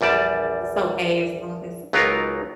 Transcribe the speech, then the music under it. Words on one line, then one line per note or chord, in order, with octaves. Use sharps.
it's okay as long as
A#1 E2 G3 D5 A5
C#2 F#3 B3 D#4 F4 A#4